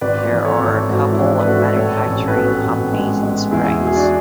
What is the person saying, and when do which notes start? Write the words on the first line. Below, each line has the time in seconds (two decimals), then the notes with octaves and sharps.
There are a couple of manufacturing companies in Springs.
0.01 G#1 B4 D5
0.31 E3
0.45 A4 C#5
0.60 G#1
0.89 G#2 F#4 A4
1.13 E4
1.18 E3 D4 F#4
1.40 B4
1.47 G#1 F#4 A4
1.76 A2 A4 C#5
2.06 A1
2.28 B4
2.35 B3 F#4 A4
2.65 A1
2.94 G#3
3.23 G#3
3.51 E2 E4 G#4
3.80 B2
3.87 G#4
3.96 D4 F#4